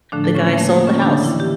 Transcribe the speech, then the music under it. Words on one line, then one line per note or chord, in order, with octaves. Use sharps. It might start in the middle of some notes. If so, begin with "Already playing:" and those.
the guy sold the house.
A2 D3 F3 A3 D4
A3 A4
C#3 C#4
A#3
A3
A#3
C#3 C#4
D3 D4
E3 E4
G4